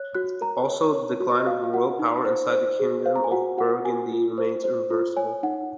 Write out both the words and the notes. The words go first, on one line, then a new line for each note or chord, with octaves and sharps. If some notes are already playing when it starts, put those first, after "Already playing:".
Also, the decline of royal power inside the kingdom of Burgundy remained irreversible.
Already playing: C#5 F#6
F#4 F#6
A#4 A#5
C#5
C#5
F#4
D#5
F#4 F5
F5
F#4 F#5
D#4
C5
C5
G#4
C5 F5
A#5
G#5
F#4 F#5
F#4 F#5
F#4 G#5
F4
C5
C5
F4
C#5 G#5
D#4 F#5